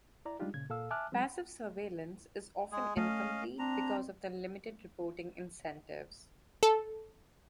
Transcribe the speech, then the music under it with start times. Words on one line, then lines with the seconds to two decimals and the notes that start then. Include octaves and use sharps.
Passive surveillance is often incomplete because of the limited reporting incentives.
0.25 E4 D5 A#5
0.40 G3 G#3 D4 D#4 F4 G4
0.54 A#2 C#3 G#6
0.70 A#2 A4 F5 E6
0.91 E5 G#5 A5 D6 F6 F#6
1.12 F#3 G#3 C4
2.72 G#3 G#4
2.97 A3 C#4 D#5 F5
3.59 C4 D4 A#5
6.63 A4